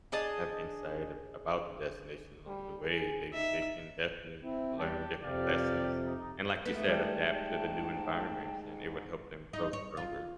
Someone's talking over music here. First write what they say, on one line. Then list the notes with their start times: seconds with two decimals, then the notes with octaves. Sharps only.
have insight a about the destination along the way. They they can definitely learn different lessons. And like you said, adapt to the new environments, and it would help them grow stronger.
0.12 D4 G#4 D#5 A5
2.47 G3
2.84 G#4
3.33 D#4 E5
4.42 C4 E4
4.77 E2 G3 D4 G4 A5
5.22 F2 C3 G4 D5 F5
6.05 D#4
6.65 G#2 A3 B3
6.89 G3 G5 A5
9.53 D#4
9.73 C#5
9.97 F4